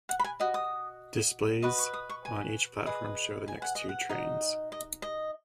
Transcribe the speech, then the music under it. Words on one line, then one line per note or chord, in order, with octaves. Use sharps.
Displays on each platform show the next two trains.
F#5
B5
G#5
F#4 D#5 D#6
D#6
F#4 B4 D#5 C#6
C#6
D#6
C#6
G#5
G#4 B4 D#5
G#5
F#5
D#5
F#5
D#4 F#4 D#5
D#5
D#5